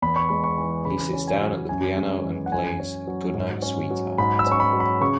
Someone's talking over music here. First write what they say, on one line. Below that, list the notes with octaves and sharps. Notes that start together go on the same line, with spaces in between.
He sits down at the piano and plays "Goodnight, Sweetheart".
E2 B5
C#6
G#3 B5
C#6
E3
C#3 B5
C#4
G#5
F#3
F#2 G#5
G#3
E3
F#5
F#2 G#5
C#4
F#3
G#2
C#4
F#3
G#2 B5
E6
C#4
C#6
B5
F#3
B5
C#3 C#6